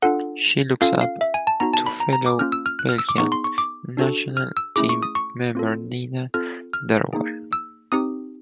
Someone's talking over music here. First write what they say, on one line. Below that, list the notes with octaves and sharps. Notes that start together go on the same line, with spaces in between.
She looks up to fellow Belgian national team member Nina Derwael.
D4 F4 A4 F#5
C#4 F4 A4 F5
F5
E5
G#5
A5
B3 D#4 F#4 A#5
A5
B5
A#5
A#5
D6
A#3 C#4 F4 F6
E6
F6
F#6
F6
E6
D6
B3 D#4 G#4 C#6
C6
C#6
D6
D4 F#4 A4
F6
E6
A3 C#4 E4 G#4 D6
C#6
D#6
C#6
C4 F4 A4
C4 F4 A4 F6
F6
A#3 D#4 G#4
E6
C4 D#4 G4 D#6